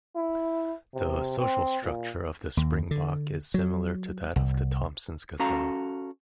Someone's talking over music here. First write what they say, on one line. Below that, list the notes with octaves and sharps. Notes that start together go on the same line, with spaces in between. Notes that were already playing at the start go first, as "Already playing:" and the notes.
The social structure of the springbok is similar to that of the Thomson's gazelle.
E4
C3
C4
A#2
D#2
D3
F#3
C2
C#4 F#4 A4 F5 A#5